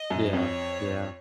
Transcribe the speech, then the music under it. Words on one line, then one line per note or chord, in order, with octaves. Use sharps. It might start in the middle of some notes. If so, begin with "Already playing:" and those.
Yeah, yeah.
Already playing: D#5
F#2
F2 C#5